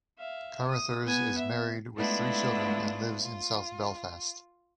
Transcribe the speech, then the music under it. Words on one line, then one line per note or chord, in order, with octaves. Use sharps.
Carruthers is married with three children and lives in south Belfast.
E5 F5
D#6
B3 G#5
E5
G#3 A3 B3 D4 E4 F4
F4